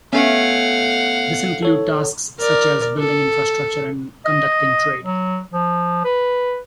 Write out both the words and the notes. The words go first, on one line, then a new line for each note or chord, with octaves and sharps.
This includes tasks such as building infrastructure and conducting trade.
A3 B3 C#4 F5 F#5
A4 C#5
A#4 D5
A4
D#5
F#3
F3
B4